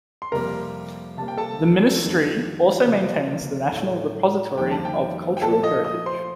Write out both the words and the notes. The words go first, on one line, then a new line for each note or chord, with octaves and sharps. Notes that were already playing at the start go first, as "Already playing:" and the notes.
The ministry also maintains the National Repository of Cultural Heritage.
C6
F2 C3 G3 A#3 A#4 A#5
C3 G3 A#3 A5
G5
A4 A5
F2 D#3 G3
C3 F3 A#3
A2 A3
F2 D#3 G3 A#3 G5
A5
G5
G5
A#2 F3 A3 A4 A5
D#5 D#6
D#5 D#6
C5 C6